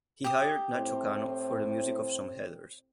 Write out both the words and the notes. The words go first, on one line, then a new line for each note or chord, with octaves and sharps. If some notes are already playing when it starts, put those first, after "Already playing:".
He hired Nacho Cano for the music of some headers.
G4 D#6
A2 C4 C5